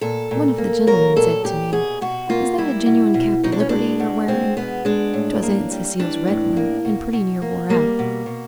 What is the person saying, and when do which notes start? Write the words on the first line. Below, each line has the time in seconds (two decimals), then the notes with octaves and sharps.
One of the gentlemen said to me, "Is that a genuine cap o' Liberty you're wearing?" 'Twas Aunt Cecile's red one, and pretty near wore out.
0.01 A#2 A4
0.31 A#2
0.58 A#3
0.87 F#3 A#4
1.16 A#2 A4
1.44 A#2 G4
1.73 B2 G#4
2.01 B2 F#4
2.29 A#3 F4
2.58 G3 E4
2.86 B2
3.14 B2
3.44 B2 D#4
3.52 D4
3.60 C#4
3.69 G#3 D4
4.00 B2
4.28 G#3 C4
4.57 B2 B3
4.85 G#3 D4
5.13 A2
5.42 A#3
5.71 G3
5.99 E3 D4
6.28 A2
6.57 A#3
6.85 B2
7.13 B2
7.42 A#3
7.69 G3 A#3
7.99 B2
8.26 B2